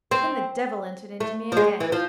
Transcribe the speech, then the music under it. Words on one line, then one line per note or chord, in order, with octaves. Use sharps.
Then the devil entered into me again.
C4
A3
F3
G#3
E3
F3